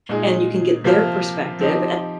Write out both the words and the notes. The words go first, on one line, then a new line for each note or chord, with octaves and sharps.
and you can get their perspective and
A#2 G#3 D#4 G#4
C3 F3 A#3 F4 C5
F3 C4 D#4 G4